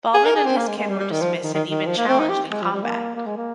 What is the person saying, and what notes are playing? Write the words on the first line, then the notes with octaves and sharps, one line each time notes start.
Balban and his kin were dismissed and even challenged in combat.
G#4
A#4
G#4
C4
A#3
G#3
G#3
G3
G3
D#3
F3
D#3
D#3
D#3
F3
A#3
C4
D#4
G4
G#3
F3
G3
A#3
A#3
G#3
A#3